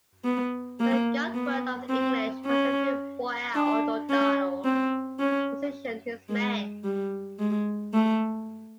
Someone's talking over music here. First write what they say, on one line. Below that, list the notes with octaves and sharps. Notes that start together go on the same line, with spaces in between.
When he got word of the English passing through Boyle, O'Donnell positioned his men.
B3
A#3
B3
C4
C#4
D4
C#4
C4
C#4
G#3
G3
G#3
A3